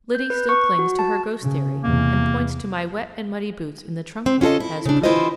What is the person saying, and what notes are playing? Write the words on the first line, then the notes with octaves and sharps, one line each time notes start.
Liddy still clings to her ghost theory, and points to my wet and muddy boots in the trunk-room as proof.
G6
B4
C#6
F#4
A5
C#3
E2 C3 A#3
C4
C#4 F4 F#4 A4 D#5
E4
C#3 D4
E3 E4 F4 G4 C5 D#5